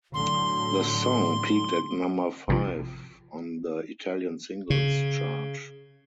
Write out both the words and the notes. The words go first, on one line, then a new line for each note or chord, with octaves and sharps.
The song peaked at number five on the Italian Singles Chart.
A2 D3 F#3 C6
A1 C3 F3
C#3